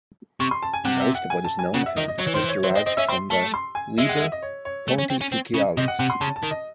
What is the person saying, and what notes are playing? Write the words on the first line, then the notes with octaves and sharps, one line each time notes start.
Most of what is known of him is derived from the "Liber Pontificalis".
C3 C#6
C6
A5
G#5
C3 F#5
E5
F#5
G#5
A5
G#5
C#3 F#5
E5
D#3 D#5
D#5
F#3 C#5
E3
D#3 C5
E3
C#5
F#3 C5
C4 D#5
C4 D#5
C#4 E5
C4 C6
A3 A5
C6
G#5
G#3 E5
F#5
E5
D#5
C#5
C#5
A3
C#4
C4
C#4
C4
C#3
C3 D#5
F#5
C3 F#5
C6
C#3 A5
A5
D#3
D#5